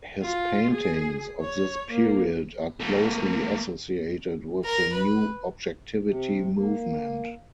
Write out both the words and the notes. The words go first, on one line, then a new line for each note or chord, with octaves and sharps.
His paintings of this period are closely associated with the New Objectivity Movement.
F4
G#4
C#5
A#3
A3 A#3
A#4
B4
C3
A#3